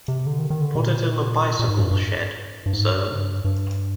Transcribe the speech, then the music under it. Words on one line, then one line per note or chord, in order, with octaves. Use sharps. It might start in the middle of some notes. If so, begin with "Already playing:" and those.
Put it in the bicycle shed, sir.
C3
D3
D#3
D#3
D3
C3
A#2
A#2
G#2
G2
G2
G2
G#2
G2
G2